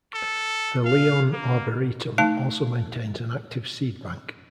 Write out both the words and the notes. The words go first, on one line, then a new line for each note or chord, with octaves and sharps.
The Lyon Arboretum also maintains an active seed bank.
A4
F5
A#3
A3 D#4 A5